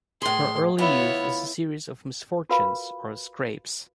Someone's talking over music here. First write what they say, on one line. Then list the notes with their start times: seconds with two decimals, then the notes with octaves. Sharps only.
Her early youth is a series of misfortunes or scrapes.
0.22 A2 G#4 C6
0.78 D2 B3 E4 F4 C#5 G#5
2.49 F4 F#4 A#4 B4 F5 B5